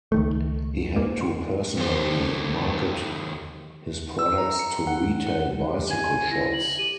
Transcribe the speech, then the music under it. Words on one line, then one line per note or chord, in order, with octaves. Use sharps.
He had to personally market his products to retail bicycle shops.
C#2 D#3 A3
A#3
D#2 C5
E6
A#5
C#7
F#5
F#5
G4
G#5
E4 A#6
F#7
G4 D#7